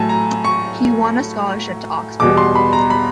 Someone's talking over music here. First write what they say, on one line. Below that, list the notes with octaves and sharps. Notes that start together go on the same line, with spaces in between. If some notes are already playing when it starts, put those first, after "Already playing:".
He won a scholarship to Oxford.
Already playing: A2 F#3 A3 G#5 A5
A#5
C#6
E2 B2 G3 D6
C6
B5
A#5
B5